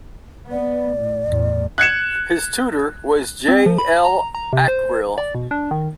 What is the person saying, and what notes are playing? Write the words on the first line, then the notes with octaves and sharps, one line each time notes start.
His tutor was J. L. Ackrill.
B3 D5
A2
E2 A2
F#6 G#6 C#7 E7
C4
F3
B5
A#5
A#5
C3
C5
D5
B2
D4
D#3